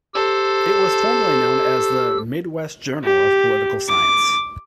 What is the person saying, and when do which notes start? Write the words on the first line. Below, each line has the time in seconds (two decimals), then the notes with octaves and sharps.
It was formerly known as the "Midwest Journal of Political Science".
0.14 G4 A4 C5 E6
3.04 G4
3.89 D6